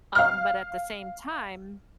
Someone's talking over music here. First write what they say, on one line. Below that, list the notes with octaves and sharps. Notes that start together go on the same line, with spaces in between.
um, but at the same time,
F5 F6